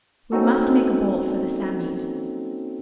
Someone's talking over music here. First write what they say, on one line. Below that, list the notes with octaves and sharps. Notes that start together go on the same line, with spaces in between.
We must make a bolt for the Psammead.
A#3 C4 C#4 D#4 F#4 A4